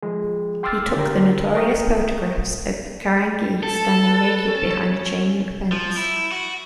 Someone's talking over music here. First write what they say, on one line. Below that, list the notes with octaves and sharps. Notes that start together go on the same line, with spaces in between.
He took the notorious photographs of Carangi standing naked behind a chain-link fence.
F3 G#3 G#4
G5 C6 D6 E6 F6 A6
D3 G4 A#4
A#4 G5 C#6 D#6
A4 A5
B4
C#4
F3
E4
F#4